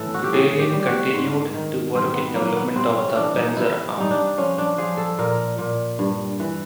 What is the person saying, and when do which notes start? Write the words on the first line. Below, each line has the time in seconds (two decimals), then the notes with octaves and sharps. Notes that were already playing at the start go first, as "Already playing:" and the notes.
Guderian continued to work in development of the panzer arm.
Already playing: A2 E3 A4
0.14 F#4
0.24 G4
0.33 A2 G#4
0.59 G4
0.73 G3
0.80 G4
0.87 F#4
1.14 G#2
1.54 D#3
1.95 G#2 C4
2.15 B3
2.35 F#3 A#3
2.56 B3
2.76 C3 C4
2.96 C#4
3.16 E3 D4
3.36 D#4
3.56 C3 E4
3.98 G3 D#4
4.11 D4
4.38 F3 C#4
4.58 D4
4.78 F3 G#4
4.97 A4
5.19 A#2 A#4
5.59 A#2
5.99 G2
6.40 E3